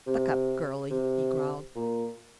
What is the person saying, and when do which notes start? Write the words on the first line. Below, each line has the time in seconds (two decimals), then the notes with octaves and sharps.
"Buck up, girlie!" he growled.
0.06 C3
0.90 C3
1.75 A#2